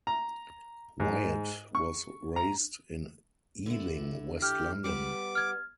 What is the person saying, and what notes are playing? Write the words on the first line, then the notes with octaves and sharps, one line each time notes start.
Wyatt was raised in Ealing, West London.
A#5
G#2
C#6
A#5
D3 E4
G4 F6
G3 B3 G4 D6
F6 G#6